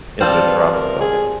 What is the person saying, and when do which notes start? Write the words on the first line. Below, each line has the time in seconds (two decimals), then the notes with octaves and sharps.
It's a drop in the bucket.
0.20 G3 C4 F4 A4 C5
0.47 B4
0.74 A#4
1.01 G#4